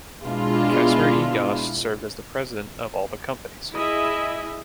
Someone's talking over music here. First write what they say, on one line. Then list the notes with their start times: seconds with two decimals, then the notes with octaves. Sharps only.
Casper E. Yost served as the president of all the companies.
0.24 B2 G#3 D4 E4 F4
3.73 E4 G#4 D#5 E5